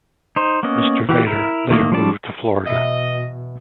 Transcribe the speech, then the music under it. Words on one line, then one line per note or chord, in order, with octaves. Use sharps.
Mr. Vader later moved to Florida.
D#4 C5
A#3 B3 C#4 D#5
E3 F#4 G4
E4 A#4
D#3 A3 A#3 D#5
F3 G3 C#4 D5 A5
E2 B2 D#5 E5